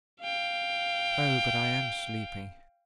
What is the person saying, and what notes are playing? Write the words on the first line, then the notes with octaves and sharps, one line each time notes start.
Oh, but I am sleepy!
F5 G5